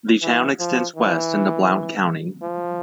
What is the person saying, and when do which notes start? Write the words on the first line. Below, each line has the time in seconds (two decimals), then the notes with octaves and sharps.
The town extends west into Blount County.
0.22 E3
0.59 F3
0.96 E3
2.42 F3